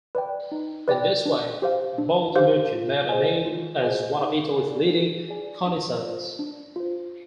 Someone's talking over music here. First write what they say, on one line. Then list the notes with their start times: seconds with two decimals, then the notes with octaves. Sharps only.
In this way Baldinucci made a name as one of Italy's leading connoisseurs.
0.15 B4 D5 G5
0.52 D#4
0.88 B4 D5 G5
1.25 D4
1.62 G4 C5 F5
1.98 D4
2.36 G4 C5 F5
2.72 F4
3.09 G#4 C5 D#5 G#5
3.45 F4
3.82 G#4 C5 D#5 G#5
4.20 D#4
4.56 G#4 D5 G#5
4.92 D#4
5.29 G#4 D5 G#5
5.66 D4
6.03 F4 C5
6.39 D4
6.76 F4 C5